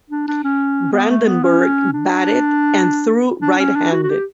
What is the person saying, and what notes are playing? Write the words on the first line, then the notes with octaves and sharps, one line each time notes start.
Brandenburg batted and threw right-handed.
D4
D4
C#4
B3
A3
B3
C#4
D4
D4
C#4
D4
F#4
F#4
G4